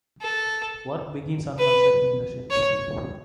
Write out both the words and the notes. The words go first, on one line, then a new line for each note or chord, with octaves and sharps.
Work begins on constructing the ship.
A4
B4
C#5